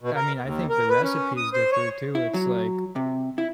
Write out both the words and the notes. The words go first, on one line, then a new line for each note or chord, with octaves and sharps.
I mean, I think the recipes differ too. It's like,
B2
A#4
D#2
A#4
B4
C#4
D#6
C5
C#5
E4
F#3
C3
E4